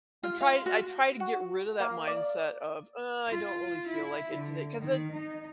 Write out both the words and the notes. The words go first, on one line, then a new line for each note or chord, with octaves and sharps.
I'm try I try to get rid of that mindset of, "uh, I don't really feel like it today" 'cause then
F4
F5
C6
F#4
F#4
A#3
D5
F4
E4
D3
D#3
D#4